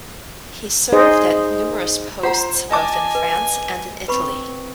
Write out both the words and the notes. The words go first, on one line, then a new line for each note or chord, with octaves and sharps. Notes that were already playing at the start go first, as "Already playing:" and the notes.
He served at numerous posts both in France and in Italy.
D#4 G#4 C5 D#5
F4 C5 F#5 A#5
D#5 G#5 A5 D6
B4
C4 B4 B5 C#6